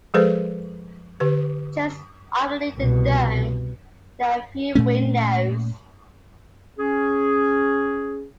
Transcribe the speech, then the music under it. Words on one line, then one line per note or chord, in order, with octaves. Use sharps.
Just underneath the dome there are a few windows.
F3 G#3 G#4 A4 B4 C5
D3 G4 B4
C2 B2
A#2 A3 C#4
C#4 G#4